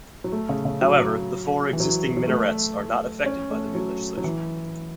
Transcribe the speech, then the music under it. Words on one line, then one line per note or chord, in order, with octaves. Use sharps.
However, the four existing minarets are not affected by the new legislation.
F#3
A3
C#3
C#3
F#3
E3
F#3
F#3
A3
C#4
A3
F#3
F#3
E3